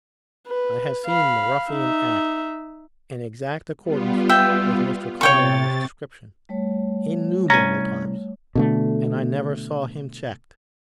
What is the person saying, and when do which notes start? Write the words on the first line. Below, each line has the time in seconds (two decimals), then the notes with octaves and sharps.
I have seen the Ruffian act in exact accordance with Mr. Carlyle's description, innumerable times, and I never saw him checked.
0.48 B4
1.06 F5 B5
1.71 D#4 E5
3.83 G3 B3 F4
4.29 E5 G5
5.21 C3 C#5 G5 C#6 A6
6.49 G3 A3 C#5
7.50 C2 C#4 G#5 A#5
8.55 B2 D3 A3